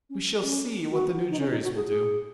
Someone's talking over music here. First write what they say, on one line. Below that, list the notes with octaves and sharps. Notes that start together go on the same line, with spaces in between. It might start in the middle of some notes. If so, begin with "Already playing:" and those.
We shall see what the new juries will do.
C#4
C#4
F#4
D#4
C#4
D#4
F#4
G#4
G#4